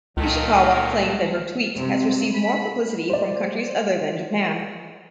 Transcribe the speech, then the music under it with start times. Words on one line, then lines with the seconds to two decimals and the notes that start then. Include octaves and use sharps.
Ishikawa claimed that her tweet has received more publicity from countries other than Japan.
0.17 C#2 A#2 D#3 F#3 A3 A#3
1.76 C3
2.34 B5
3.10 C5 D5